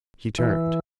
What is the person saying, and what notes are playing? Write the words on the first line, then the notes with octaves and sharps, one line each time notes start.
He turned.
E3